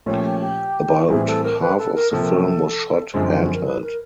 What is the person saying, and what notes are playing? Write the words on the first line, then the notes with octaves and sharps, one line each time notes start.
About half of the film was shot handheld.
A#2 F3 A3 C#4 G4
G4
G4
A2 E3 G3 C4 G#4
A4
A#4
B4
A4
A#4
C3 F3 A#3 A4
F#2 D3 F3 G#3 C4 G#4
G4
F#4
A#4
B4
A#4